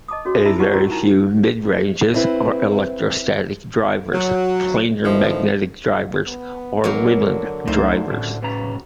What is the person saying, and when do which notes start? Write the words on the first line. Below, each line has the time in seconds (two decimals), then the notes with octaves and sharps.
A very few mid-ranges are electrostatic drivers, planar magnetic drivers, or ribbon drivers.
0.08 D#5 A5 D6 D#6
0.25 C#4 F#4 G#4 C#5
0.45 D#4 E4 E5 A5 B5 E6
0.59 D#4 F4 F#5 A5 C#6
0.73 C#4 F#4 G4 A#4 A#5
0.91 D#4 E4 G5 A5 A#5
2.14 C4 E4 B4
4.13 F#3
5.03 F#2 D3 D#3 F3 B3 E4
6.27 B3
6.84 B2 F#3 A#3
7.21 D3
7.68 C#2 F#3 A3 D#4 C5
8.11 C2 F#2 A2
8.42 G#2 C#3 B4 A#5